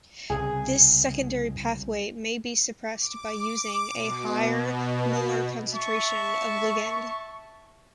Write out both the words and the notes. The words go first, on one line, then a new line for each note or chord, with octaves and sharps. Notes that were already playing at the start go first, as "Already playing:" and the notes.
This secondary pathway may be suppressed by using a higher molar concentration of ligand.
C2 C#3 G#4
D6
B2
E5 A5 C#6